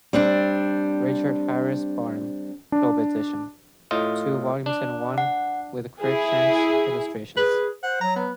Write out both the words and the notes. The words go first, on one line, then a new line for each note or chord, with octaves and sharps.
Richard Harris Barham Globe Edition, Two volumes in one, with Cruikshanks' Illustrations.
G3 C4 D4
D4
A2 F4 D#5
D4
F#5
E4 G#4
G#4 B4
C5 F#5
F#3 A#5
B3